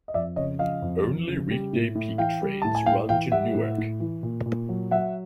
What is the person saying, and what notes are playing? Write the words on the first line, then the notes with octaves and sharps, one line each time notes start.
Only weekday peak trains run to Newark.
D#5
F2 D5 E5
C#3 C#5 D#5
F3 D#5 F5
F2
F2
C#3
G3
A2
A2
E3 F5 G5
G3
A2 A5
G#5
A2 F5 G5
E3 F5 G5
G3 E5 F#5
A2
A2
E3
A#2
A#2
F#3
F#3 E5 F#5